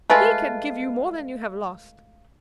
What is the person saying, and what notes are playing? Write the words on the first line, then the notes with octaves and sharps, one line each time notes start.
"He can give you more than you have lost."
G#3 A3 F4 B4